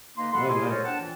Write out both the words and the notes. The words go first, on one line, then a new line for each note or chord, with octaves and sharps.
Oh, nice.
D3 A#3 D#4 B4 D#5 C6
A4 F#5 B5 C6
E4 G4 G#4 D#5 G#5 C6
F#4 A4 A#4 C5 C#5
D4 F#5 G5 A5
A#2 E3